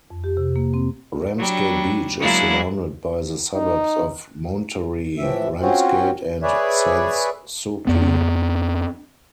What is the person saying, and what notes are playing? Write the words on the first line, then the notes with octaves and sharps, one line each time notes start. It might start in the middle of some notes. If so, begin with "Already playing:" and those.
Ramsgate Beach is surrounded by the suburbs of Monterey, Ramsgate and Sans Souci.
F2
G4
C3
A#3
C4
F#3 G3 D4
F#3 G#3 A#3 D4 E4 G#4
D#4
A2 E3 F3 E5
C4 C#4 F4 F#4 C5
G#4 B4 C#5 D5 E5
F2 B3